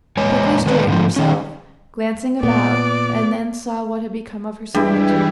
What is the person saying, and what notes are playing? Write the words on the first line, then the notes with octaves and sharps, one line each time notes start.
She quickly straightened herself, glancing about, and then saw what had become of her solitude.
E2 A#2 G#3 C#5 G#5
D3 D#3 G#3 B4 D5
G#2 D3 E3 F3
D#3 C#4
A#2 B3 D5
G2 E3 G3 G#3 E4 G4